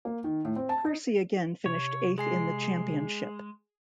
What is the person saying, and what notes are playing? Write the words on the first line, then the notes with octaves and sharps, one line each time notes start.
Percy again finished eighth in the championship.
A#3
D#3
A2
C4
A5
D#4
C3 C#5
G#3 G#4 G#5 C7